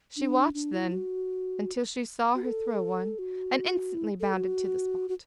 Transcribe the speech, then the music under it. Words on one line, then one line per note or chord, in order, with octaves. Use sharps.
She watched then until she saw her throw one, and instantly bounded to the spot.
D4
D4
E4
F#4
F#4
A4
F#4
E4
A4
F#4
F#4